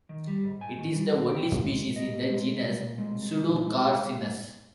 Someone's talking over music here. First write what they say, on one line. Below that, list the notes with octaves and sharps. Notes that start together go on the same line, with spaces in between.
It is the only species in the genus Pseudocarcinus.
D#3
G3
G#2
G#2 G#5
D#3
G3
G#2
C2 G5
A#2
G#3
C2
C2 D#5
A#2
G#3
C2
C2
A#2
G#3
C2
C2
A#2
G#3